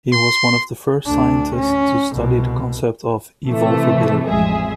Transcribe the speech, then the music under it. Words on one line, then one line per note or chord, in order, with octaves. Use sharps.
He was one of the first scientists to study the concept of evolvability.
C6
D2 D4
C#4
C2 B2
C3 E3 A3
A1 F2 G#3 G#4 E5